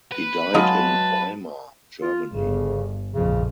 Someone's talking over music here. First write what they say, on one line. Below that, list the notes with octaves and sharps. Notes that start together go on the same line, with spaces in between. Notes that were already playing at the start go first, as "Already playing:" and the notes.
He died in Weimar, Germany.
B4
F#3 G#3 D#5 F5 A5
F4
G1 C#3
A#1 F2 C#3